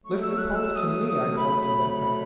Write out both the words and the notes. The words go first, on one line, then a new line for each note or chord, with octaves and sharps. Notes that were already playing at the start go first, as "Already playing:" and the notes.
"Lift the pony to me," I called to Ventnor.
F#3 A3 C#6
E6
F#6
E6
E6
D#6
B5
B5